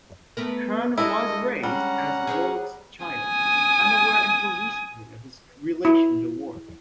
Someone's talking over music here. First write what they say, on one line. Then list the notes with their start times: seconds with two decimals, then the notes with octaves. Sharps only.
Kurn was raised as Lorgh's child, unaware until recently of his relation to Worf.
0.37 A3 B3 A#4
0.98 G#3 D4 E4 A4 A#4 D#5
1.63 G3 C#4 F#5 A#5
2.27 G#4 C5 C#5
3.06 G#5 D#6
5.85 E4